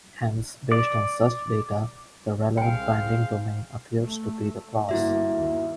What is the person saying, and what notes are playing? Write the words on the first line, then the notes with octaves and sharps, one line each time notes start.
Hence based on such data, the relevant binding domain appears to be the clause.
D5
C2 G#4 C5 F5 G5 G#5
A3
G1 G2 A#3 E4 F#4 E5
D#2